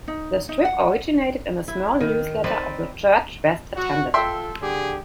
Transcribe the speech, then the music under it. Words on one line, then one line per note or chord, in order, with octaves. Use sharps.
The strip originated in a small newsletter of the church West attended.
D#4
D#4
F#5
E4
D#3
C4 D#4 B4 D5
F#4
F4 A4 E5 G5 C6
D3 G4 G#4